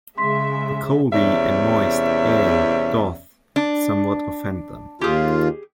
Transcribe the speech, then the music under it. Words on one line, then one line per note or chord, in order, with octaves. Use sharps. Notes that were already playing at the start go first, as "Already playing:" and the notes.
The colde and moyst aire doth somewhat offend them.
C#3 G#3 E5 C6 B6
E2 C3 C#4 D5 E5
D4
D#2 F4 G4 G#4